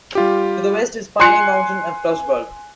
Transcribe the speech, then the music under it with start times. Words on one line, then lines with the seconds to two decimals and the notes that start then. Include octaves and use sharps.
To the west is Piney Mountain and Frostburg.
0.15 G3 F4 G4
1.20 G#5 C6 F#6 C#7